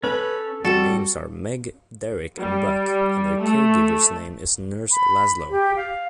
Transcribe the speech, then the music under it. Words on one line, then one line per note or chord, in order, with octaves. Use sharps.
Their names are Meg, Derrick and Buck and their care-giver's name is Nurse Lazlo.
C#4 A4 B4
G3 C4 F#4 A4
G3
A3
B5
G4
F5